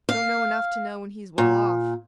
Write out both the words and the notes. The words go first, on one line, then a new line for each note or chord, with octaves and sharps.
Don't know enough to know when he's well off.
F5
A#2